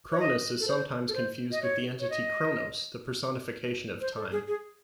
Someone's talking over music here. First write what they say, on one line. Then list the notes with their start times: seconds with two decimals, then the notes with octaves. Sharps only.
Cronus is sometimes confused with the entity Chronos, the personification of Time.
0.12 C#5
0.20 D#5
0.60 A4
0.68 C5
1.08 A4
1.15 C5
1.52 D#5
1.62 C#5
2.00 C#5
2.10 D#5
4.01 C5
4.16 A4
4.32 G#4
4.48 G#4